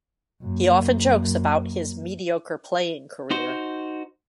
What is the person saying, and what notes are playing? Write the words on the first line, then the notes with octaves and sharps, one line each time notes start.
He often jokes about his mediocre playing career.
F#2 A#3
D#4 F#4 C5